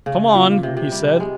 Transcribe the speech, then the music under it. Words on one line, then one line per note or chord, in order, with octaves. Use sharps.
"Come on!" he said.
C#3
A#2
C3
C3
G3
G#3